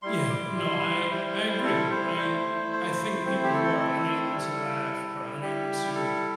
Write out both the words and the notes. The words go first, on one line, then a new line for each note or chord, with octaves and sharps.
Yeah. No. I I agree. I I think people who are unable to laugh or unable to
G3 E4 C6
D6
C6
G3 E4 C5
A4
C5
A3 E4
C5
A3 C4 E4 C5
G4
A4
A4
G3 E4
G3 E4 G4
A4